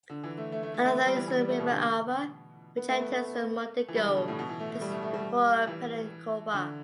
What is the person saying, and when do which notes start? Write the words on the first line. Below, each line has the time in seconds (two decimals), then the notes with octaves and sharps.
Another is the River Alva, which enters the Mondego just before Penacova.
0.10 D3
0.24 E3
0.38 A3
0.52 A3
0.63 A3
0.74 A3
0.85 A3
0.95 B3
1.06 G3
1.16 E3
1.28 E3
1.38 G3
1.49 A3
1.59 B2
1.70 D3
2.77 B3
2.88 A3
2.99 B3
3.10 A3
3.88 E3
3.96 G3
4.06 D3
4.16 B2
4.28 A2
4.39 B2
4.49 E3
4.59 A3
4.70 A3
4.81 G3
4.92 A3
5.03 A3
5.14 G3
5.67 E3
6.53 D3